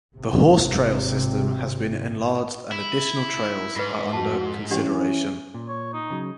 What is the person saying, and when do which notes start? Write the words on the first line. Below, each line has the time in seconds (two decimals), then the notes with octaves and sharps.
The horse trail system has been enlarged and additional trails are under consideration.
0.15 G#1 C3
2.72 E4
3.76 G#2 F4 B4
4.13 F2 F#4 A5
4.71 E3 C#4 D4 G4 F#5
5.54 A#2
5.68 C#5
5.94 D#4
6.10 C#3 F#3